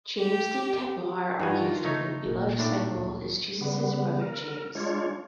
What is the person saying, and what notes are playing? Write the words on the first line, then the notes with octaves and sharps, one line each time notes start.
James D. Tabor argues that the beloved disciple is Jesus' brother James.
G4
G2 D#3 D#4 F4 F#4 G#5
C#3 A3 D#4 C#5
F1 A#2
A2 D4 D#4
D2
C#3 G3 B3
A#4
G#3 D4 F4 C#5